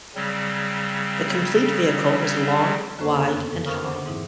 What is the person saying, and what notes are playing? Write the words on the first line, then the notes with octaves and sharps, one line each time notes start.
The complete vehicle was long, wide and high.
C#3 F#3 G3 C4
F2 D3 A#3 A4 C5 C#6
F#2 C#3 B3 C#4 A4 F#6
F2
A#4 C5 F5 C#6 D#6 F6
C5 F#5 D6
G#2 E3 C4 D#4 E4